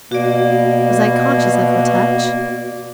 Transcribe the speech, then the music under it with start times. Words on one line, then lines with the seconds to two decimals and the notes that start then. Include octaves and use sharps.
Was I conscious of her touch?
0.12 B2 A#3 F#4 D5